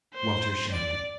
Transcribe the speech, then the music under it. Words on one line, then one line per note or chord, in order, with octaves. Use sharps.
Walter Shandy.
C5
D5